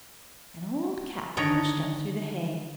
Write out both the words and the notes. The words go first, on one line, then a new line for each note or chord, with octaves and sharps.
An old cap pushed up through the hay.
D3 D#3 C#5 D#5 A#5